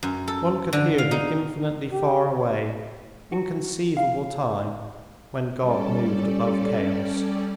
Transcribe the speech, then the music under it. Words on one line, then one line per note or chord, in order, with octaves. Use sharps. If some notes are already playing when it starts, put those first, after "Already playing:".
One could hear the infinitely faraway, inconceivable time when God moved above chaos.
F#2
A4
D3
F5
D#4
G4
F#4
F5
G3 C#4 A4 D5